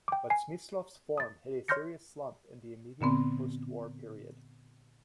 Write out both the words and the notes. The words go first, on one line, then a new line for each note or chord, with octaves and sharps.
But Smyslov's form hit a serious slump in the immediate post-war period.
G5 D6
G#5 C7
D#6 A6
C#5 C6 F6 G6 A#6 C#7
A#2 D3 B3 C4